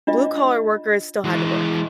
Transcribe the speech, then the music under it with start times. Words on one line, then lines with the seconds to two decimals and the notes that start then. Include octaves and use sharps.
blue collar workers still had to work
0.07 D4 F4 D#5
1.24 E3 G#3